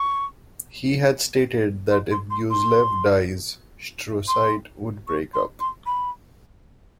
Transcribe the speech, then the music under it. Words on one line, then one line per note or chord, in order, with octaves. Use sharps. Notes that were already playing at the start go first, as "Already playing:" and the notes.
He had stated that if Gyuzelev dies, Shturcite would break up.
Already playing: C#6
C6
C6
C6
C6
C6
C#6
C6
C6
B5